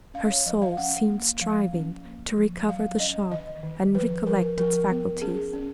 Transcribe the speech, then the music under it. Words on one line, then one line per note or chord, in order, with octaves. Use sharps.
Her soul seemed striving to recover the shock, and recollect its faculties.
C#4 F5
C#5
F3 D#5
F5
C#4 F#5
A#3
F3 F5
C#4
A#3
F3
F#3 F5
C#4 D#5
D#3 D#5
D#3
F3 B4
F3 A#4
F3 A#4
B3
C#4 G#4
C#4